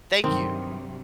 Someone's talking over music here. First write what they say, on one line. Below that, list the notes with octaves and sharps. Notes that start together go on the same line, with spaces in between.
Thank you.
G2 C3 D#3 F#3 C4